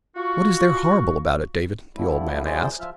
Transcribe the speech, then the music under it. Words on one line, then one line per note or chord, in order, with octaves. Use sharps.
"What is there horrible about it, David?" the old man asked.
F4 F#4 C#6
D3 F3 G3 A3 E4
F#3 E4 G#4 C5 D5 G6
F3 F4 E5 F6